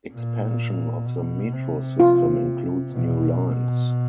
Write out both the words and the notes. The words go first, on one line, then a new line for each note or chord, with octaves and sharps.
Expansion of the metro system includes new lines.
A#2
B2
C3
F4
B2